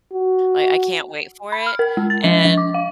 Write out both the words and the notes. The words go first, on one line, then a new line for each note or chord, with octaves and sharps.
I I can't wait for it, and
F#4
B5
F6
A#4
G#3
A6
F3
F3
D6
F5